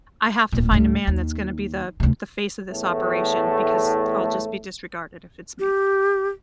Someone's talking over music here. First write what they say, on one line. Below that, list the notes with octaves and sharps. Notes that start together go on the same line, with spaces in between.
"I have to find a man that's gonna be the the face of this operation, because I'll just be disregarded if it's me."
D1 A#2
D2 A2
D#2
D2 C3
E2 A2 A3
G4